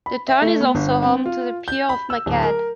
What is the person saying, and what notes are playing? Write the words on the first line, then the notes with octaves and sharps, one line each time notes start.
The town is also home to the Pir of Makhad.
B5
E5
A3
B3
G1
C4
F4
G6
B5
E6
D1
A#4